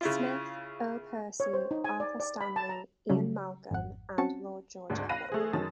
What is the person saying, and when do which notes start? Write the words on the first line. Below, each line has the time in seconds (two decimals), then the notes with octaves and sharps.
Smith, Earl Percy, Arthur Stanley, Ian Malcolm and Lord George Hamilton.
0.01 C#3 E4 F4
1.40 C#5
1.54 C5
1.71 D#4
1.84 G#5
2.00 D5
2.20 D5
2.41 B5
2.56 A5
2.69 A#5
3.09 C#3 F#3 G3 C#4
3.71 G#1 F2 F#5
4.18 C4 C#4 F#4 A5 C#7
4.90 G#1 D2 G#2
5.09 F5 B5 F#6 A#6 D#7
5.30 A3 G#4 C5
5.53 F#2 D#3 A5 D#6 A6